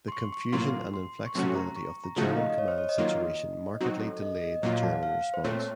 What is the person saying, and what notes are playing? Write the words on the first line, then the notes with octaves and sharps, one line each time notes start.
The confusion and inflexibility of the German command situation markedly delayed the German response.
C6
C#6
C#6
A2 F#3 A#3 F4 C6
C6
C#6
C3 F#3 A3 C#4 F#4 C6
A#5
C#6
A#5
C#3 F3 A3 D#4 F#4 F#5
F5
D#5
D#5
C#5
C5
C#5
D#5
D#3 F#3 A#3 F4
F#3 C4 D#4 F#4 D#5
A4
D#5
D#5
D#5
A#2 F#3 A#3 F4 C#5
F5
A5
F#5
F5
C5
A#2 A3 C4 C#5